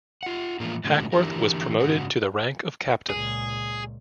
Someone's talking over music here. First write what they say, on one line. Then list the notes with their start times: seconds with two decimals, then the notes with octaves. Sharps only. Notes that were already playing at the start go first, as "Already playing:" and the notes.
Hackworth was promoted to the rank of captain.
0.23 F4 F#5
0.60 A2 E3 F3 G#3 A#3 F4
0.84 A2 C#3 F#3 G#3 A#3
1.12 D3 E3 B3 E4 G4 A#4
1.80 G#2 C#3 F#4
3.09 C#2 A#2 G#4